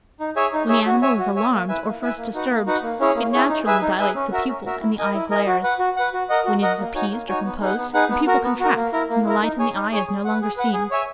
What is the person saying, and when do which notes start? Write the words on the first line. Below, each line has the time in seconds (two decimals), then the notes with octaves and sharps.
When the animal is alarmed, or first disturbed, it naturally dilates the pupil, and the eye glares; when it is appeased or composed, the pupil contracts, and the light in the eye is no longer seen.
0.20 D#4
0.36 G#4 C#5 E5 G#5
0.53 D#4
0.69 G#4 C#5 E5 G#5
0.86 F#4
1.02 C#5 E5 G#5
1.19 F#4
1.36 C#5 E5 G#5
1.51 A#3
1.68 E4 B4 E5 G#5
1.84 A#3
2.01 E4 B4 E5 G#5
2.17 A#3
2.34 D#4 F#4 B4 F#5
2.51 A#3
2.67 D#4 F#4 B4 F#5
2.83 A#3
3.00 C#4 E4 G#4 C#5
3.16 A#3
3.33 C#4 E4 G#4 C#5
3.49 D#4
3.65 G#4 B4 E5 G#5
3.82 D#4
3.99 G#4 B4 E5 G#5
4.15 C#4
4.32 F#4 A#4 E5
4.48 C#4
4.65 F#4 A#4 E5
4.81 E4
4.98 A#4 D#5 G#5
5.14 E4
5.30 A#4 D#5 G#5
5.46 F#4
5.64 B4 F#5
5.79 F#4
5.96 B4 F#5
6.13 F#4
6.29 A#4 D#5 F#5
6.45 F#4
6.62 A#4 D#5 F#5
6.78 A#3
6.95 D#4 F#4 C#5 G#5
7.12 A#3
7.28 D#4 F#4 C#5 G#5
7.44 B3
7.61 D#4 G#4 B4 F#5
7.77 B3
7.94 D#4 G#4 B4 F#5
8.11 B3
8.27 F#4 A#4
8.44 B3
8.60 F#4 A#4
8.76 A#3
8.92 E4 A#4
9.10 A#3
9.26 E4 A#4
9.42 D#4
9.59 G#4 C#5 G#5
9.75 D#4
9.92 G#4 C#5 G#5
10.08 G#4
10.24 B4 F#5
10.42 G#4
10.57 B4 F#5
10.73 G#4
10.91 C#5 E5 G#5